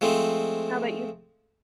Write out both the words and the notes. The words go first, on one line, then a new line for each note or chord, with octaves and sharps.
How about you?
F3 G#3 A3 C4